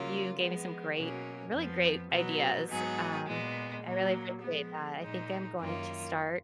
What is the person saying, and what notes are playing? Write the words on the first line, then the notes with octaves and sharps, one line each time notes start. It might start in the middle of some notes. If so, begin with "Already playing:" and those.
you gave me some great really great ideas. Um, I really appreciate that. I think I'm going to start
Already playing: C#3 F#3 A#3 F4
F3 G#3 B3
B2 F#3 A#3 C#4
F2 F3 B3
B2 F#3 B3
G#2 F#3 B3 D#4 G#4
A#2 G#3 B3
A#2 F#3 A#3
F3 G#3 B3
A#2 G#3 D#4
F#2 D#3 A#3 F4